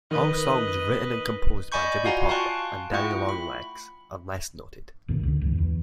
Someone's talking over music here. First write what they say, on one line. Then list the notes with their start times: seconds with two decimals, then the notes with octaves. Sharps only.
All songs written and composed by Jimmy Pop and Daddy Long Legs unless noted.
0.11 D#3 B4 D#5
1.72 D5 D#5 G#5 B5 C#6 G6
2.04 F4 F#4 F5 F#5 G#5 A#5
2.29 F5 G5 A5 C6 C#6 F#6
2.92 A3 E4 F4 F#5 G5 C#6
3.29 B5
5.08 A#1 G2 C3 D#3
5.23 C#2 D3
5.41 C#2 G2 E3
5.55 E2 E3